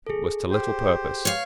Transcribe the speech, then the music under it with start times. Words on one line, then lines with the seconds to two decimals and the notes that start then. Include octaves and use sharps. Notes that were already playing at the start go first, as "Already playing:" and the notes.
It was to little purpose.
0.07 G#4 A4
0.51 G4 C5
1.25 C#5 F5